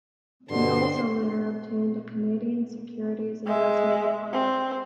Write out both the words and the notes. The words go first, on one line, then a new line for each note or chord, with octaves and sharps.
He also later obtained a Canadian Securities Investment Diploma.
G2 B2 D3 C4 C6
G#3 E5
C4